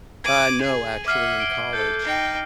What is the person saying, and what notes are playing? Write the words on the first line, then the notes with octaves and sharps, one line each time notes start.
Uh, no actually, in college
D6 G#6 D#7 F#7
G#4
E5 F#5 D6 F6 C7
D7 G7
A4 G6
D#4 G5 C7